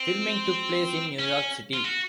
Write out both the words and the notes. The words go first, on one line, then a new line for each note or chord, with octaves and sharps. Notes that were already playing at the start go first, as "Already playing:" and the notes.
Filming took place in New York City.
Already playing: C4
C#4
F4
F#4